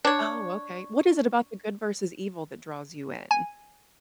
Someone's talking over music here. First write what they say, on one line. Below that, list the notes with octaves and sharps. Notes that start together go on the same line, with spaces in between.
Oh, okay. What is it about the good versus evil that draws you in?
D4 C#5
G#5